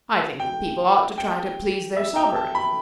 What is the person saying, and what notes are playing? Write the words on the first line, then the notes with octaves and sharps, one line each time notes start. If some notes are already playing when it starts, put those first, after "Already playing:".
"I think the people ought to try to please their sovereign."
G5
G5
E5
G5
A5
B5